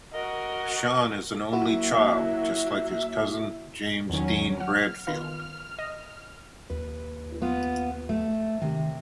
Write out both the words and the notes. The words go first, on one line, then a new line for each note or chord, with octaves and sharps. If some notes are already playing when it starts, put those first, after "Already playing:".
Sean is an only child, just like his cousin James Dean Bradfield.
F#4 A#4 D#5
F#3 A#3 E4 F#4 E5
E2 D#3 F#3 C#4
F#5 F6
D#3 B3 F4
D#5
D#2 B4
B3 F4
A3
C3 D#3